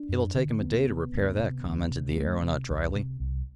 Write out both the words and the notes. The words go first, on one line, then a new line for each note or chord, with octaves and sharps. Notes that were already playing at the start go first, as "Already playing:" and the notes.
"It'll take him a day to repair that," commented the aeronaut dryly.
Already playing: D4
F#2
D3
D2 B3
C3
D2
C3
D2
C3
D2 A3
C3
C2
C3
C2